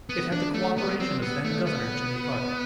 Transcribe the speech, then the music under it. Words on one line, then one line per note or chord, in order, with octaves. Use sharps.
It had the cooperation of then-Governor Jimmy Carter.
B3
D4
A3
B3
C4
B3
A3
B3